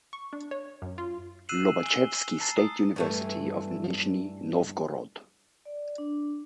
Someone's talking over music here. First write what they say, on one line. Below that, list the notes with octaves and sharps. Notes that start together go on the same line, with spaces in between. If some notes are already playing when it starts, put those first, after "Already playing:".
Lobachevsky State University of Nizhny Novgorod.
C#6
D4
C#5
F#2
F4
E6 F#6 C7 D#7 E7 F#7
G#5 G7
A5 A#5 A6 C7
D#6
G2 E3 A3
D5
D4